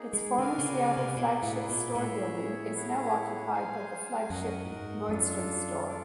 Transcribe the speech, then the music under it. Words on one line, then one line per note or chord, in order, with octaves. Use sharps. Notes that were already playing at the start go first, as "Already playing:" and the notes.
Its former Seattle flagship store building is now occupied by the flagship Nordstrom store.
Already playing: A#3 D#4 G#4
G#3
D3 F#4 A#4 D5 F5 G#5
C#3
C#3
C3
B2 B3 E4 G#4 B4 D5
A2
A#2
A2 G#4 C#5 E5
B3 E4 G#4 C#5
G#4 C5 F5 G#5
F#2 F#4 A#4 D#5 F#5
A2
G#2
F#2 D4 F4 A4
F4 A4 D5